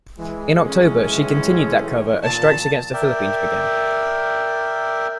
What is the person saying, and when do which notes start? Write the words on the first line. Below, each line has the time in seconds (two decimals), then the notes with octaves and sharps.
In October, she continued that cover as strikes against the Philippines began.
0.18 E3 G#3
0.65 B1 A2 E3 C#4
2.24 A#2 A5
2.93 A#4 D5 E5 G5